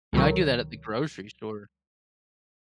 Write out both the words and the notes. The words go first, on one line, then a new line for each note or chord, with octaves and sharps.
You know, I do that at the grocery store.
C#2 B2 D3 D#3 F#3